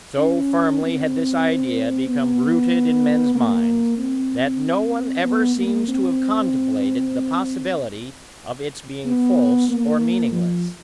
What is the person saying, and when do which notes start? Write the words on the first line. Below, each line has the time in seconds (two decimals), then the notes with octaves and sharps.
So firmly had this idea become rooted in men's minds, that no one ever seems to have contemplated the possibility of its being false or meaningless.
0.18 C#4
0.81 C4
2.08 B3
3.35 A#3
3.98 C4
5.25 B3
5.56 A#3
5.88 C4
9.05 B3
9.69 A#3
10.32 F3